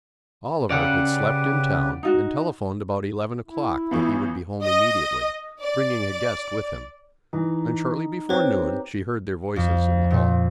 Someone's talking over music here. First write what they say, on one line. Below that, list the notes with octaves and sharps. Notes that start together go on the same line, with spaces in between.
Oliver had slept in town and telephoned about eleven o'clock that he would be home immediately, bringing a guest with him: and shortly before noon she heard their voices in the hall.
C#3 G4 B4 D5 F#5
D#4 F4 F#4
E4
A1 E3 B3 F4 C#6
D#5
D5
E3 D#4
C4 G4 B4 C#5
F2
A#2